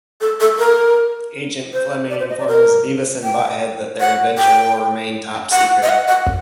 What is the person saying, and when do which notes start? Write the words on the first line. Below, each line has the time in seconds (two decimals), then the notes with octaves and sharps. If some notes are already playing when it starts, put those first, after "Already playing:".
Agent Flemming informs Beavis and Butt-Head that their adventure will remain top secret.
0.21 A4
0.40 A4
0.59 A#4
1.73 C5
2.10 D5
2.19 C5
2.30 D#5
2.39 D5
2.48 A#4
3.24 G5
4.00 F#5
4.38 G5
5.52 F#5
5.83 D#5
5.89 F#5
6.08 F#5